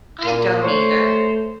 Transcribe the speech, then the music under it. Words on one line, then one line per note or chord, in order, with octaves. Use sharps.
I don't either.
A#2 A#4
A3 C5 C#5